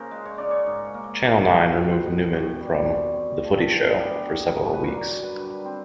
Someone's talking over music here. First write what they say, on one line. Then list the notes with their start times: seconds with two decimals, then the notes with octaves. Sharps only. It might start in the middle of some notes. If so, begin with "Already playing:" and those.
Channel Nine removed Newman from "The Footy Show" for several weeks.
Already playing: C#3 A#3 A#4 C5
0.11 G#3
0.25 C#5
0.38 C#3 D5
0.51 C#5
0.66 G#2
0.94 A#3
1.22 G#2
1.50 B2 B4
1.77 C4
1.84 B4
1.91 C5
2.06 B2
2.33 F#2
2.60 G3
2.88 F#2
3.16 C4
3.44 A3
3.71 D3
3.99 B3 G4
4.27 F#3
4.40 G#4
4.54 F#2
4.73 B4
4.82 G2 A#4
5.10 F#3
5.24 B4
5.37 G2
5.65 C4